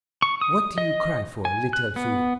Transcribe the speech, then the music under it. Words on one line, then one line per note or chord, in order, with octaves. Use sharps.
What do you cry for, little fool?'
C#6
D#6
D#5
G#5
F#6
B3